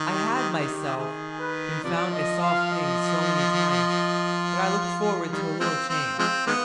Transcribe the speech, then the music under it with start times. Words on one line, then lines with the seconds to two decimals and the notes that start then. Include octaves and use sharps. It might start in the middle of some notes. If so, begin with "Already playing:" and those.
I had, myself, been found a "soft thing" so many times, that I looked forward to a little change.
Already playing: D#3
0.10 G4
0.53 G4
0.97 D#3 G#4
1.40 B4
1.83 C3 F3 D5
2.12 D#5
2.42 F5
2.71 D#5
4.44 F5
5.32 D#3 G3
5.60 F3 G#3 C4
5.89 C4
6.19 F3 G#3 C4
6.47 D#3 G#3 B3